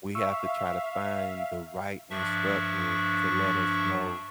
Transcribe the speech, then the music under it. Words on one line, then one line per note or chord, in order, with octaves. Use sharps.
we have to try to find the right instructors to let us know,
E5 F5 C#6 E6
G2 F3 D4 E5 C#6